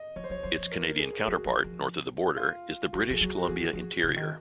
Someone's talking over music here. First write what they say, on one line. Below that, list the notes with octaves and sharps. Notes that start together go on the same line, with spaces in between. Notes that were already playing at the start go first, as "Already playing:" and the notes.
Its Canadian counterpart, north of the border, is the British Columbia Interior.
Already playing: D#5
F3 C#5
C5
F#3 C#5
F#3 C5
F3
A#4
G#4
G#4
F#3 F#4
F#3
F3
F4
F#3 F#4
F3 G#4
F#3 F#4
F#4
F3 G#4
D#3
F3
C#3
D#3